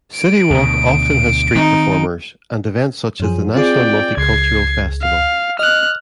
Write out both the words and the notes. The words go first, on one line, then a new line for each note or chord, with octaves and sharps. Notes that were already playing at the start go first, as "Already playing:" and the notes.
City Walk often has street performers, and events such as the National Multicultural Festival.
D7
D2 B2
D#3 C4 D#4
F#2 F3 G#4
C4 F4 G#4 D5 G5
C#2 G#6 C7
F5
D#5 F6 F#6